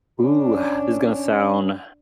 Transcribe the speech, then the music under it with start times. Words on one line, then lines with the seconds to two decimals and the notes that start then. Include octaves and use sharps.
Ooh, ah, this is gonna sound
0.22 C#4 D4